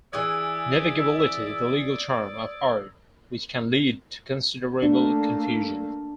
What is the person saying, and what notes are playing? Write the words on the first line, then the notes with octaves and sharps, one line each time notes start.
'Navigability' is a legal term of art, which can lead to considerable confusion.
E3 G#4 D5 E5 G#5 D#6 E6 G#6
A3 A#3 D4